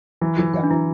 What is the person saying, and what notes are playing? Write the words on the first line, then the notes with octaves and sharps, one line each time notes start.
it, um
E3 E4
E3
E3
D4
E3 E4